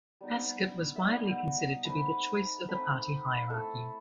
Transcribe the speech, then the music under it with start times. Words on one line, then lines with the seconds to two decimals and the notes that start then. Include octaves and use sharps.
Haskett was widely considered to be the choice of the party hierarchy.
0.21 G3 B3 D#4
0.96 E5
1.03 G3 B3 D#4 D#5
1.30 F#5
1.57 D#5
1.85 A3 C4 D#4 B4
2.68 A3 C4 D#4 B4
3.50 A3 E4 A4